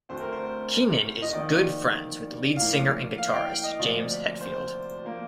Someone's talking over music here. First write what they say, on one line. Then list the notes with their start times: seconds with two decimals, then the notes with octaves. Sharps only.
Keenan is good friends with lead singer and guitarist James Hetfield.
0.09 D2 D3 A3 C4 C5
0.21 A#4
0.32 C5
1.22 D#5
1.33 F2 D#3 A#3 D5
2.56 A2 F3 A#3 F5
3.18 F5
3.33 G5
3.49 G5
3.64 D#5
3.79 D2 C3 F3 A#3 D5
4.41 C5
5.04 F3 A#3